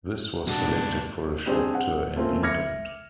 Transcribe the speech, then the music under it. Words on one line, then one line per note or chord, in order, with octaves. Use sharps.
This was selected for a short tour in England.
C#2 G2 B2 D4
G3 C4 D4 G#4
F#5
A3 A#3 C4 C#4 F4
E5 D6 F6 G#6 A#6 C#7